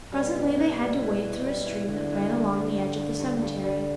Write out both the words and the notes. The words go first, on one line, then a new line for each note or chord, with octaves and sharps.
Presently they had to wade through a stream that ran along the edge of the cemetery.
B2 G3
G3
E3
G3
E3
E3
G3
E3
D3 E3
E3
G2
G2
G2
G2
G2
G2
G3